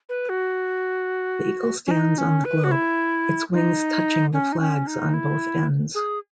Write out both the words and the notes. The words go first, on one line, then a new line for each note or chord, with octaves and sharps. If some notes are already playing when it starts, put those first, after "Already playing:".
The eagle stands on the globe, its wings touching the flags on both ends.
B4
F#4
C#4
D#4
C#4
B4
F#4
E4
D#4
C#4
D#4
C#4
D#4
E4
G#4